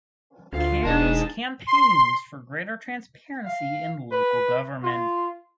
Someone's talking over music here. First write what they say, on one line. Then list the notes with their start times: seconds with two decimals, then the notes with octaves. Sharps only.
Cairns campaigns for greater transparency in local government.
0.53 D2 F4 F5
0.85 E1 D4 D#4 G#4 A5
1.67 C6
3.45 F5
4.12 B4
4.83 F4